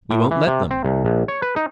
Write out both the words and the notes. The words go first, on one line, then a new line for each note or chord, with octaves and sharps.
We won't let them....
A2
E3
C3
C4
C2
A#1
C#5
B4
D#4